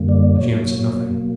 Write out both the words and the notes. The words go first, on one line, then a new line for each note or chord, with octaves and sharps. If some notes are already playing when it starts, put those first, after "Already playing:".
She answered nothing.
Already playing: F#2 D3 G3 A#3
D5
B2 F#3 A#3 C#5